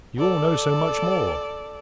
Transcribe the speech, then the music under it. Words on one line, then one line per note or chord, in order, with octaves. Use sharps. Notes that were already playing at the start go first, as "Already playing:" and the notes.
You all know so much more.
A4 D5